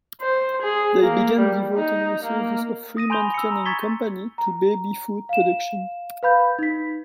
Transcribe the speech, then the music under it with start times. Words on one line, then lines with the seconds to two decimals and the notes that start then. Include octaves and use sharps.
They began devoting resources of Fremont Canning Company to baby food production.
0.21 C5
0.62 G#4
1.02 A#3
1.38 G3
1.75 D#4
2.24 A#3
2.97 D#6 A#6 D#7
3.10 G#5 B5 C6 G6 F7 G7
3.34 E6 C#7
3.51 A#5
3.65 A#5 C#6 G#6 A6 B6 G7
4.38 A#5
5.29 F5 E7
6.23 B4 F5 B5 G6
6.59 D#4 B6